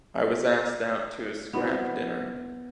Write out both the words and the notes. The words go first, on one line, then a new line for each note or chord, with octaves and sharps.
I was asked out to a scrap dinner.
B3 C4 E4 F#4